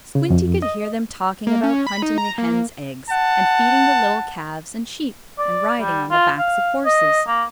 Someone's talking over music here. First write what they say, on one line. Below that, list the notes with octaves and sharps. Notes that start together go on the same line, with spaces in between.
Squinty could hear them talking about hunting the hens' eggs, and feeding the little calves and sheep, and riding on the backs of horses.
C#3
F2
D#5
A#3
C#4
B5
D#4
A#5
A#3
F#5 A5
D5
G3
F4
F5
D#5
A#3